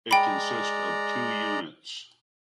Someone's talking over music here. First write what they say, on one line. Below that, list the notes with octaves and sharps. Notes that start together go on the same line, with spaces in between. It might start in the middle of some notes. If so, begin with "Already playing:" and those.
It consist of two units.
G#3 D5 G5 A#5 B5